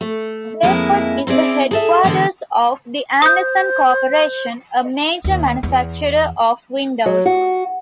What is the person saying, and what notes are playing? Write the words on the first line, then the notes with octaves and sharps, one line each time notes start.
Bayport is the headquarters of the Andersen Corporation, a major manufacturer of windows.
A3
F2 G#3 A#3 E4
C4 E4 G#4 D5
G#4 A4 E5
D3 E3 F#3 G#3 B3
C5 D#6 G6
D#2
E2
F#3
F#4